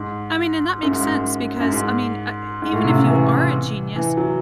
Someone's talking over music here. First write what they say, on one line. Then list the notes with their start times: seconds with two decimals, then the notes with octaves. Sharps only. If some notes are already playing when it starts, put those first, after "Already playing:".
I mean and that makes sense because, I mean, a even if you are a genius,
Already playing: G#2
0.82 F#2
0.91 G#2
1.01 F#2
1.60 F#2
1.72 G#2
2.62 G#2
2.73 A2
2.84 C3
2.95 C#3
3.06 E3
3.96 E3
4.17 F#3